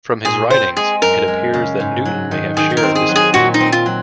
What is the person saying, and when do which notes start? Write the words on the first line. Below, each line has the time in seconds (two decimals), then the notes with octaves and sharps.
From his writings it appears Newton may have shared this belief.
0.25 A#2 G#4
0.50 C4 C5
0.76 G#3 G#4
1.02 F#2 A#4
1.28 G#3
1.53 C#3
1.80 G#2
2.05 F#3
2.31 D#3
2.57 D#3 G#4
2.77 A#4
2.83 C4
2.95 G#4
3.09 F#3
3.16 G#4
3.34 A#2 F#4
3.54 D#4
3.60 C4
3.72 F4
3.86 F#3